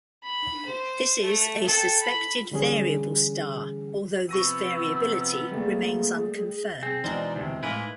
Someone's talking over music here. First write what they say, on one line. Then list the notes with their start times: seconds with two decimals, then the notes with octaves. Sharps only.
This is a suspected variable star, although this variability remains unconfirmed.
0.23 B5
0.65 C5
1.23 A3
1.65 A4 G5
2.01 B5
2.51 D3 E3 G3 C#4 G#4
4.29 C3 F3 B3 C#6 E6 A#6 D#7
5.51 G3 A3 A#3 G#4
6.83 C4 G#4
7.04 B2 E3 G#3 D#4 C5 D5
7.36 D2 C3 D#3
7.63 A2 E3 G#3 A#3 D#4 E4 B4